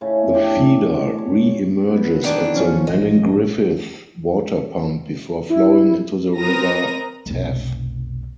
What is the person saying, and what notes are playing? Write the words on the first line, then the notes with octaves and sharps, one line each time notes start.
The feeder reemerges at the Melingriffith Water Pump before flowing into the River Taff.
A2 C#3 C#4
D4 G4 A4
C#5
B3
D#3 E3 D4
F3 C#4
A1 D#5
E4
C4 A#4 B4 A#5 D#6 A#6
F1 B1